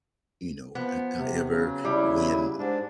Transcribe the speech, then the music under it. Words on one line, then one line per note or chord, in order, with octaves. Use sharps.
you know? H however, when
F3 B3
C3
C#3 F#3
G3 E4
G#2 D4